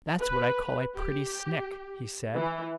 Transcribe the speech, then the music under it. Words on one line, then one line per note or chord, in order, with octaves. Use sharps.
"That's what I call a pretty snick," he said.
B4
G4
E3